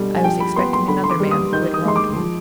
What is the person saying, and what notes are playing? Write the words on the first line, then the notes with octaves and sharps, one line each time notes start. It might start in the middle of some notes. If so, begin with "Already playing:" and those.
I was expecting another man who had wronged me.
Already playing: B2 D3 G3
G#5
F3 G5
B5
B3 C6
C6
D3 B5
C6
D6
G3
D#6
D#3 G6
D#6
G#3 C6
D6
F3